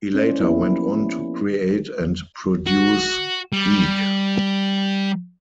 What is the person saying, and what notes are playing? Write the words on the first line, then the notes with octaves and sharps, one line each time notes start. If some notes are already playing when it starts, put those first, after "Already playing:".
He later went on to create and produce Eek!
C#4 E4 C5 D5
A#3 B3 E4 G4
F3
F#4
G3